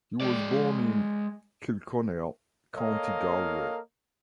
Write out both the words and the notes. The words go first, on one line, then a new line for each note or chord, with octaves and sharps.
He was born in Kilconnell, County Galway.
G#3 D5
A#3 A4 A#4 C#5 D#5 F5